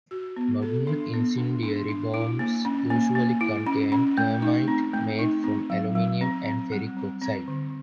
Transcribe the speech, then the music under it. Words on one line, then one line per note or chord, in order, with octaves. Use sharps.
Modern incendiary bombs usually contain thermite, made from aluminium and ferric oxide.
F#4
B3
A4
D4
B3
D4
D4
D4
E4
A#3
C#4
A#3
A#3
E4
C#4
C#4
A3
D#4
C4
A3
D#4
C4
F#3
F#3
C4
C4
G3
C4
C4
D3